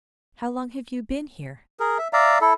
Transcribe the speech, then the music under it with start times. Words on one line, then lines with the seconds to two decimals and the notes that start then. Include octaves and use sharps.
"How long have you been here?"
1.80 G#4 A#4
1.98 E5
2.13 D5 E5 F5 A#5
2.41 E4 A4